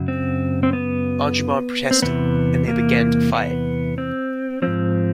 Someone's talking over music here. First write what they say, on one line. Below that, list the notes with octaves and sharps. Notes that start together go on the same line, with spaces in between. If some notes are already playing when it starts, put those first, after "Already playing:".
Anjuman protested, and they began to fight.
Already playing: F#2 C#3 F#3
C4
C4
B3
C4
E2 C3 E3 B3
A#3
B3
C4
G#2 F3 C4